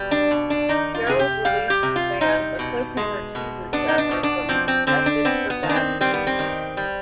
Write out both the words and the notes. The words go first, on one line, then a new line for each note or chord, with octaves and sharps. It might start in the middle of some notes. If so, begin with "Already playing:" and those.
Gerrold released to fans a cliffhanger teaser chapter from "Method for Madness".
Already playing: B2 G3
D4
B2
D4
D#3 D#4
F4
C3 G#4
G4
G3 F5
G4
C3
F4
G3 D#4
B2
G#3
B2
B3 D4
D#4
D4
B2
D4
F3 C4
C4
D3 C4
D4
B3 C4
B3
D#3
D4
C4
G3 C4
B3
C4
D#3
G3